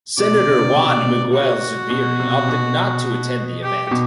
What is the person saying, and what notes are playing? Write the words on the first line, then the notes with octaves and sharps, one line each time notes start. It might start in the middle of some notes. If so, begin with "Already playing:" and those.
Senator Juan Miguel Zubiri opted not to attend the event.
B2 D5
C3
D3
C3
B2
C3
F#4
B2
C3
B2
G4
B2